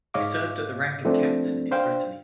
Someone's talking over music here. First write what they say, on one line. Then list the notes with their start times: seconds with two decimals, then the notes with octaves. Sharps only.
He served at rank of captain in Brittany.
0.14 G#2 C#5 D#5 F5 D6
1.05 F3 A3 C4 D4
1.71 D4 C5 F5 G5